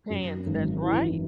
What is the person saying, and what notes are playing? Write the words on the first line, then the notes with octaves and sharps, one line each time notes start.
Hands, that's right.
F#2
G#1
E3